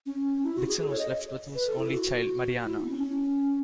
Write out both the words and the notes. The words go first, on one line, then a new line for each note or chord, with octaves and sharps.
Dixon was left with his only child, Marianna.
C#4
E4
F#4
G#4
A4
C#5
D#5
B4
A4
E4
F#4
E4
D#4
B3
C#4
C#4